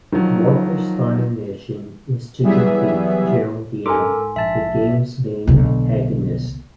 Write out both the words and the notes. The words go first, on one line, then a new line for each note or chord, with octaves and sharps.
Walkers's final mission is to defeat General Diem, the game's main antagonist.
D#3 F3 F#3
E3 F#3 G3 B3 G#4 E5
D#4 G4 A4 A#4 D#5 G#5 C6 D6
G#2
A#1 E5 A5
B1 D3